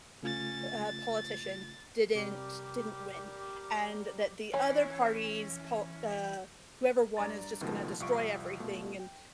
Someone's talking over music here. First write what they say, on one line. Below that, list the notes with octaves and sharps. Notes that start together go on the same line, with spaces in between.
u uh, politician didn't didn't win and that the other parties pol uh, whoever won is just gonna destroy everything, and
C#3 A3 C#4 F4 A6
A6
C3 G3 G4 A#4 D6
E3 C#4 C#5 G#5 B5
G2 D5 A#5 A6
C#2 B2 D#3 F3 A3
C2 F2 F4 C#6 D7
B2 A3 F4
G5